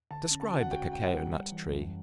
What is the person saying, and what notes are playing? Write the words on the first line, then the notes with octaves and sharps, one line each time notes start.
Describe the Cacao-nut Tree.
D3 A5
C#4
A5
F#4
F#5
F#4 G5
F#4 G5
F#5
G3
G3
E3
F#2